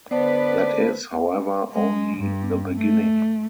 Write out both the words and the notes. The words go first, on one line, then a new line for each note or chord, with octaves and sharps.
That is, however, only the beginning.
D3 B3 B4 C5 D5 A5
G#3
G2
A3